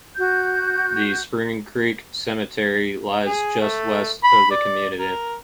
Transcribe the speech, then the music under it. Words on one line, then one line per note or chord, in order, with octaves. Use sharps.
The Spring Creek Cemetery lies just west of the community.
F#4 G6
G#4
A3
B5
D5
A#4